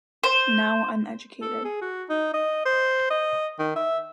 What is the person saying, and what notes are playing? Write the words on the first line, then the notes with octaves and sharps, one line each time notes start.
Now I'm educated.
C5
A4
G#4
F#4
D#4
D#5
C5
D#5
D#3
E5